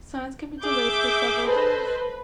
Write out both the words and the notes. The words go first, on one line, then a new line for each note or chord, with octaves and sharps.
Signs can be delayed for several days.
G#4 E5 D6 G6
A4 B4 C5 D#5